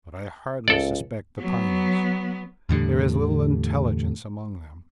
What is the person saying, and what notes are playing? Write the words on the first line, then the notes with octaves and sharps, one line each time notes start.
But I hardly suspect the Pineys. There is little intelligence among them.
C#2 A4 D5
F#3 B3
E2 A2 D3 G3